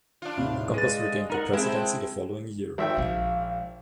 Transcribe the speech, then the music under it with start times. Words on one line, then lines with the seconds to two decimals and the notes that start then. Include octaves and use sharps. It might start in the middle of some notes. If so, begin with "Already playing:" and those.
Gompers regained the presidency the following year.
0.22 D4 F4
0.37 D#2 A2 C3
0.74 G#3 B4 D#5 A6
1.30 D#4 A#4 F#5
1.53 G#3 C4 E4 G5 A5
2.78 G#1 E5 G5
2.97 A#1 G#3 F5